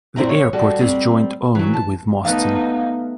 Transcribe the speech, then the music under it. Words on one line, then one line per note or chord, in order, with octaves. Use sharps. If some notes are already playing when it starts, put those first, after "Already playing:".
The airport is joint owned with Mauston.
F#2 A#2 C4 E4 A#5
C#5
G3 F#4 A4
G3 C4
E3 F#3
A5
A3 B3 D#4 F5